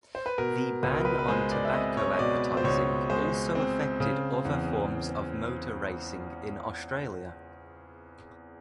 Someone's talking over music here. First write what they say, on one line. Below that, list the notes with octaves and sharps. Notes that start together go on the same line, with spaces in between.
The ban on tobacco advertising also affected other forms of motor racing in Australia.
C5
B4
B2 A#4
C#2 B4
A#4
B4
B4
G#3 C5
D5
E5
C4 D#5
C#5
D#5
B2 D5
C5
C#2 C#5
G#3 C5
C4
C#3
E2